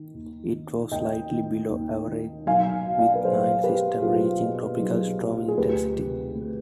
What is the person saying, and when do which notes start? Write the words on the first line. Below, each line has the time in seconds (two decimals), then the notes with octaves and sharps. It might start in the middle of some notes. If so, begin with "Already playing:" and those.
It was slightly below average, with nine systems reaching tropical storm intensity.
Already playing: D#3
0.14 D#2
0.53 D#3
0.92 D#2 D#5 G5
1.31 D#3
1.70 D#2
2.08 D#3
2.47 B1 F5 G#5
2.86 B2
2.98 D5 F5
3.15 B4
3.25 B1 G#4 C5
3.63 B2 G4 B4
4.02 B1 F4 G#4
4.41 B2
4.80 B1
5.19 B2
5.48 G#4
5.57 D2 G4 B4
5.96 C3 D#3
6.35 D2